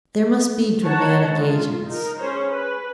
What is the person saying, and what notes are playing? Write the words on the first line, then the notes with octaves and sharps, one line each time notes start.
"There must be dramatic agents."
C#5 F#5 A5 A#5
G#3 F4
D#4 A#4
C#4 G#4 C5 C#5
B4